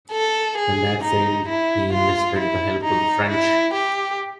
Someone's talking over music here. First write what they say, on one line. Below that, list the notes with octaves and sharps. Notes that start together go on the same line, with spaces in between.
When that failed, he enlisted the help of the French.
A4
G#4
D#4
E4
F4
E4
D#4
E4
G4